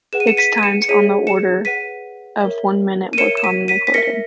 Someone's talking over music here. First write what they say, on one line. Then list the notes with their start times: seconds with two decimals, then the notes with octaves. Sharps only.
Fix times on the order of one minute were commonly quoted.
0.13 G#4 B4 F#5 E7
0.20 D#7
0.27 C#7 E7
0.37 B6 D#7
0.58 D#7
0.63 C#7 E7
0.82 C#7
0.89 G#4 C#5 E5 B6 D#7
1.27 C#7 E7
1.65 B4 F#5 B6 D#7
2.41 A#4 C#5 E5
3.13 D#7
3.18 A#4 C#5 E5 C#7 E7
3.37 E7
3.44 B6 D#7
3.68 B6 D#7
3.87 B6
3.94 A#4 E5 A#6 C#7